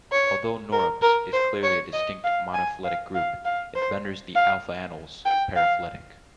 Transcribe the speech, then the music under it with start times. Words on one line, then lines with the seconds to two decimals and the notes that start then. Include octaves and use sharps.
Although "Norops" is clearly a distinct, monophyletic group, it renders the "alpha anoles" paraphyletic.
0.12 C#5
0.72 A#4
1.02 A#4
1.33 C5
1.63 C#5
1.93 D#5
2.24 F5
2.54 G#5
2.84 F5
3.14 F5
3.45 F5
3.75 C5
4.35 F5
5.25 G5
5.56 F5